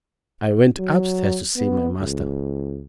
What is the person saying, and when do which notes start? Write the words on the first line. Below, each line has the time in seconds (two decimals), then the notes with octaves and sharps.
I went upstairs to see my master.
0.79 F#3
1.56 B3
2.00 C#2